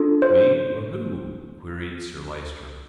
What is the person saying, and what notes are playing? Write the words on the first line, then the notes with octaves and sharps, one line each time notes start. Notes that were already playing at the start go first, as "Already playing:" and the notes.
"Me or who?" queried Sir Lyster.
Already playing: D4 F4 A4
C5